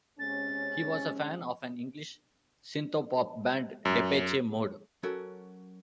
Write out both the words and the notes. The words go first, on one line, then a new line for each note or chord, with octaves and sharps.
He was a fan of an English synthpop band Depeche Mode.
C3 G#3 C#4 A6
F#2
F#3 C#4 F#4 A4 A#4